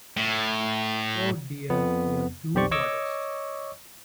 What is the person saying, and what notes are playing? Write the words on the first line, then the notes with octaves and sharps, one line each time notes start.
Oh, dear, you are too modest.
A2
F2 B3
B1 F2 G4 C5 D5 C#6
C#5 D#5 C#6 D6 E6